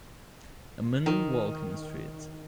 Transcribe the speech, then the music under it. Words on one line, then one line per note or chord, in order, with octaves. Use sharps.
A man walks on the street.
D#3